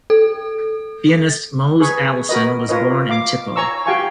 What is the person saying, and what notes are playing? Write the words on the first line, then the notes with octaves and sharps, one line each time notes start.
Pianist Mose Allison was born in Tippo.
A4
G#4 B4 C#6
F#4 A#4 B4 D#5
F4 A#4 B4 C#5 D#5
F5 D6
C#5 G#5 A#5 C#6 E6
F#4 G4 F5 G5 G#5 C#6